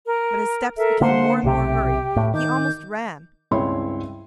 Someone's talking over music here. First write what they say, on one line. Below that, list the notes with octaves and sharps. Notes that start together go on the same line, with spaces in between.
But his steps became more and more hurried, he almost ran.
A#4
A4 A#4 E5
D3 A#3 C5 F#5 C6
B1 C3 G4
A2
D#3 D6 G6
C#2 G2 C4 E4 C#5 C6